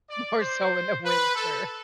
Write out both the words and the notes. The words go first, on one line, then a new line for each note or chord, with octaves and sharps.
more so in the winter.
D5
C5
B4
A4